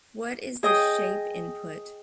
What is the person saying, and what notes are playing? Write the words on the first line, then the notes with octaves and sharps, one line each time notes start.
What is the shape input?
G#4 D#5 G5 D#6